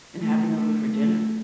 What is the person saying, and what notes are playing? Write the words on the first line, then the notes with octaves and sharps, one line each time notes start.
and having over for dinner?
A3
A3
A3